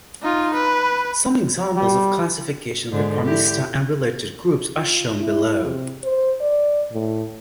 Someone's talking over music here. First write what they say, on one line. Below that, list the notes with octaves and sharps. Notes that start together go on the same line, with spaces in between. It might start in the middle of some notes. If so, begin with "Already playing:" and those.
Some examples of classification of the Chromista and related groups are shown below.
D#4 F4
B4
G3
G#2 D3
D3 E4 G4
F4
E4
C3
C5
D5
A2